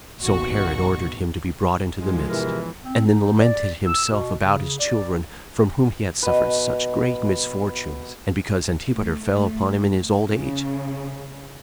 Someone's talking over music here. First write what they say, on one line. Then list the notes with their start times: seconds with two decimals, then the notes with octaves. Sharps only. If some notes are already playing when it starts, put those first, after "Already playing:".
So Herod ordered him to be brought into the midst, and then lamented himself about his children, from whom he had suffered such great misfortunes; and because Antipater fell upon him in his old age.
0.19 A1 D#2 B2 F#4 C#6
1.98 G#2 D3 F3 G#3
2.29 E2 C3 E3 A#4
2.85 C4
3.06 D#4
3.39 D5
3.87 E6
4.11 B2
4.42 C#3
4.78 D5
6.23 B2 B4
8.92 A3
10.28 C#3